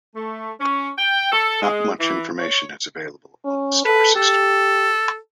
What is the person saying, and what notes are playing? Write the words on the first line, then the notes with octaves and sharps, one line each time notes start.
Not much information is available on the star system.
A3
C#4
G5
A4
G#3
E3
C#5
C#4
A4 B4
G4 A4